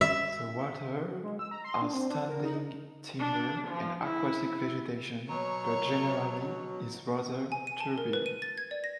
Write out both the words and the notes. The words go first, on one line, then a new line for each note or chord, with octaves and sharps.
The water has standing timber and aquatic vegetation but generally is rather turbid.
E5
F#3
G#3
E6
A#5
C6
D4
C4
D4
A#4
D#4
D4
F3
E4
B2 F#3 C#5 A#5
G#5
D#7
A5
A#4
B4
D#7
A6
G#6
D5
A#6